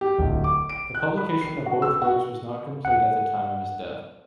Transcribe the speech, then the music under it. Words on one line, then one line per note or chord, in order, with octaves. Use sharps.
The publication of both works was not complete at the time of his death.
G4
D1
D6
D7
F#6
B5
C7
F#4
E6
F#4
F#5